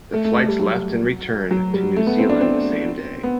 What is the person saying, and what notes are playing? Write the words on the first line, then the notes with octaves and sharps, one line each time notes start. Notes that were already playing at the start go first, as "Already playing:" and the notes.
The flights left and returned to New Zealand the same day.
A3
A3
A3
G3
F#3
F#3
G3
A3
B3
C4
D4
C4
B3